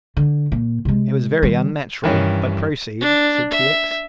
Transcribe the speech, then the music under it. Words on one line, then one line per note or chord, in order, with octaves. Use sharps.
"It was very unnatural, but proceed," said T. X.
D3
A#2
C3 G#3
D#3 G3
G2 D#3 E3 C#4
D4
E5